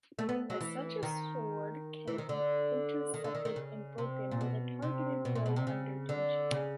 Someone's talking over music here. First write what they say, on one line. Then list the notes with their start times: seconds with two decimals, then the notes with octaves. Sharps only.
As such a sword can be intercepted and broken with a targeted blow under tension.
0.19 A3
0.29 B3
0.50 F#3
0.61 E3
1.03 D#3
2.08 E3
2.18 D#3
2.29 D3
3.14 D#3
3.24 D3
3.35 D#3
3.45 D#3
3.56 C#3
3.98 C3
4.31 A#2
4.41 B2
4.82 C3
5.25 B2
5.35 A#2
5.46 B2
5.56 C3
5.67 C#3
6.09 D3
6.51 C#3